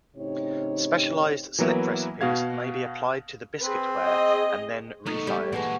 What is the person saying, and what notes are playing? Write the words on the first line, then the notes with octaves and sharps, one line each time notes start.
Specialized slip recipes may be applied to biscuit ware and then refired.
A2 C#3 C4 D#4 G4 C#5
E3 F#3 A#3 B3 E4
B2 F#4 F5 G#6
C4 G#4 B4
G#4 D#5
A3 B3 D#4 A4 C#6
G3
A#2 E3 G#3 G#4 F#5 A5 C#6